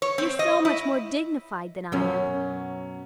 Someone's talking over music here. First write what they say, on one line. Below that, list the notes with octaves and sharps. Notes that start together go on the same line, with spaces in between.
You're so much more dignified than I am.
C#5
C4
D#5
E4
F#2 B2 F#3 C#4